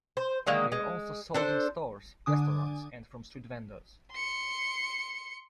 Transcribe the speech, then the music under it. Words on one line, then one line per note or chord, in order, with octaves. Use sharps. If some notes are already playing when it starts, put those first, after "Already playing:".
They are also sold in stores, restaurants, and from street vendors.
C5
D3 D#3 G#3 A#3
G#3
D4 A4 C5
D3 D4 G#5 D6 D#6
C6 C#7